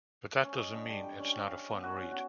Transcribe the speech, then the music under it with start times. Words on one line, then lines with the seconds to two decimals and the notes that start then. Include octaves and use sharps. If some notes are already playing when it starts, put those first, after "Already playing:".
But that doesn't mean it's not a fun read.
0.44 C#4
0.57 D#5
0.74 D3
0.88 G3
1.03 G5
1.20 C#4
1.33 G4
1.48 F5
1.70 B3
1.83 F#4
1.96 C#4
2.11 F#4